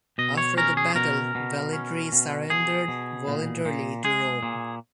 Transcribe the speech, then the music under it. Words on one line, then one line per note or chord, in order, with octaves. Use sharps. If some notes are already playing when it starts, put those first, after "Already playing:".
After the battle, Velitrae surrendered voluntarily to Rome.
B2 D#5
C#5
C#4 A#4
G#4
B2 A#4
B2
C#4
B2
B2 G#4
B2
A#2
A#2
G#3 G#4
A#2